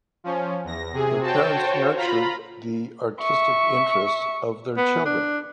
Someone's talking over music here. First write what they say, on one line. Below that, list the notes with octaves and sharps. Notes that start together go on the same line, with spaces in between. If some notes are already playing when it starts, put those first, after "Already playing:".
The parents nurtured the artistic interests of their children.
F3 C#4
E2 A#6
C3 G#4
F#4 C5 C#5 G5 A5
F4 A#5 B5
E5 C#6
B3
D4